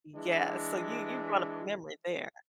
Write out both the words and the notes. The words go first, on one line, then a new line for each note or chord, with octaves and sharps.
Yeah, so you you brought up a memory there.
E3 G#3 D4